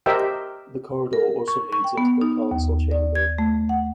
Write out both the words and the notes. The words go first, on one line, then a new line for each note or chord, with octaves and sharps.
The corridor also leads into the Council Chamber.
G4 A#4 C5 D#5 E5 G5
A#4
C#6
C#6
G5
B3
D#4
D#2
D5
G#6
A3
F#5